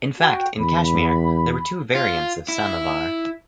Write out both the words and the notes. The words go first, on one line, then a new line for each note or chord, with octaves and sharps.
In fact in Kashmir, there were two variants of Samovar.
F#4 G5
E2 B5
F4
E4